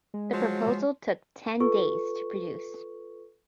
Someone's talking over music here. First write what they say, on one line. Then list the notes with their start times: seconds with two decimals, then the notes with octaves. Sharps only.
The proposal took ten days to produce.
0.14 G#3
0.32 F3 F#3
1.60 F4 A4 B4 C#6